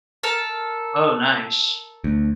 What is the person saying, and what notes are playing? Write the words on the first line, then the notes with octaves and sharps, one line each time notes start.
Oh nice.
A4 A#4 A5
D2